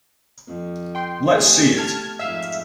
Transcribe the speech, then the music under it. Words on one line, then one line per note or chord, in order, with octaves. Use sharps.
Let's see it!
F2
G5 C6
A3 G4 G#4
A5 F6 G#6
F2 G#2 E5 F5